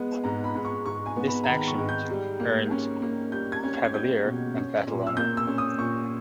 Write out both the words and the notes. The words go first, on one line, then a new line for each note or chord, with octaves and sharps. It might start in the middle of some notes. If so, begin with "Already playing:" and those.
This action earned "Cavalier" a battle honour.
Already playing: G#3 B3
G#2 A#5
B5
G#2 B5
C#6
G#2 C#6
G#5
B3
B5
A#5
D#3 B5
C#6
G#2
G6
G3
A#3
C#4
A#3
G3 G6
G#6
C#4
G#6
G#6
G3 G6
B2
C#4
A#2
E6
A#3 G6
E6
C#4
D#6
A#2 C#6